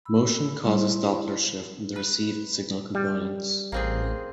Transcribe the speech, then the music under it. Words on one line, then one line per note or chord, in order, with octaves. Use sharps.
Motion causes Doppler shift in the received signal components.
B5 E6
G3 E4 C5 C6
B4
G3
A1 A#3 C4 G#4